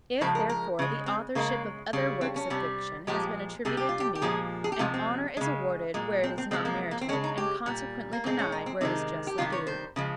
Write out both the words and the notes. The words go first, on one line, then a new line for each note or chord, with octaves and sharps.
If, therefore, the authorship of other works of fiction has been attributed to me, an honour is awarded where it is not merited; and consequently, denied where it is justly due.
C#3 F3 G#3 C5
A#4
A#4
C#3 G#3
C4
C#3 G#3 A#3
C#3 G3
C4
C#4
C3 G3
A#2 F3 G#3 G4
C3 G3 G#4
G4
F4
G4
G4
A#2 F3 G#3 G#4
G#4
G4
C3 F3 G#3 F4
C4
C#3 G#3
A#2 G#3
C4
C4
C3 F3 G#3 C4
A#3
A#3
C4
C#3 G#3 C#4
D#4
G4
A#2 G3
A#3
A#2 G#3 C4
C#4
D#4
C4
C3 D#3 G#3 D#4
G4
C3 D#3 G3 F4
C#5
C5
C#3 F3 G#3